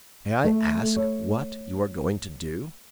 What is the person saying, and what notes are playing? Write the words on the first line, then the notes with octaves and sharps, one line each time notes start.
"May I ask what you are going to do?"
A3
C#5